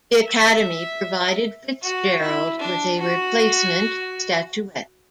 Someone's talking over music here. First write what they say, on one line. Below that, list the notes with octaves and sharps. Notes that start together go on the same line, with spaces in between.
The Academy provided Fitzgerald with a replacement statuette.
E5
F#4
E4
D4
F#4